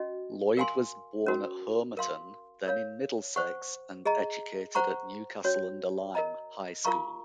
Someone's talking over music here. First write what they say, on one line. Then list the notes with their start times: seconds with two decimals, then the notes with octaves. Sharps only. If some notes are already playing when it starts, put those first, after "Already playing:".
Lloyd was born at Homerton, then in Middlesex, and educated at Newcastle-under-Lyme High School.
Already playing: C#4 F#4 D#5
0.57 A#4 F5 G#5 C6
1.26 C#4 F#4 A#4
1.97 A#4 F5 C6
2.66 A#4 C#5 F5
3.36 C5 F#5 C#6
4.05 G#4 D#5 A#5
4.75 C5 F#5 A#5 C#6
5.44 C#4 F#4 C#5
6.15 A#4 D#5 A#5
6.85 F4 A#4 F5 A#5 C#6